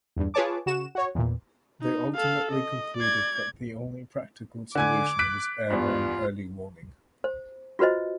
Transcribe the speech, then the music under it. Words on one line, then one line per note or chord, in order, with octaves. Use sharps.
They ultimately concluded that the only practical solution was airborne early warning.
E2 G2
F4 G#4 B4 C#5 A5 D6
C#3 F#4 E7
F#4 C#5
E2 A#2
D#4
A4 F5
D#5
D5 G#6
D3 G#5 D6 G#6
F#6 B6 D7
E2 G2 F4
C5
F4 F#4 B4 C5 D#5